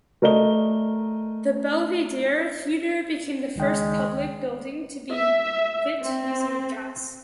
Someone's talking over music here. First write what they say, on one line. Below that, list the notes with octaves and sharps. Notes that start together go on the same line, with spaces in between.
The Belvidere Theatre became the first public building to be lit using gas.
A3 A#4 D5 D#5 G7
C#2 D#3 G#3 G5
E5
C4